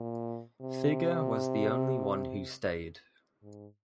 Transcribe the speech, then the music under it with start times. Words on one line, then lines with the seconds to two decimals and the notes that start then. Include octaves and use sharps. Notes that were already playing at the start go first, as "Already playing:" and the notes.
Figure was the only one who stayed.
Already playing: A#2
0.62 C3
3.42 G#2